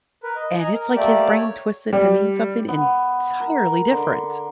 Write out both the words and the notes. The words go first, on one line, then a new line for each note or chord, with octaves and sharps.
and it's, like, his brain twisted to mean something entirely different.
A#4 B4
D#5
D#5 G#5 A#5
A#4
A3 A#3 G4 D5
C#5
G3
B3
A#4
D3